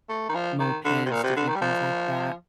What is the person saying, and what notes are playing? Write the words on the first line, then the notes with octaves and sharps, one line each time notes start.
mopeds, different things like that.
A3
D#3
F3
D#3
D3
C3
A#2
C3
D3
D#3
G3
F3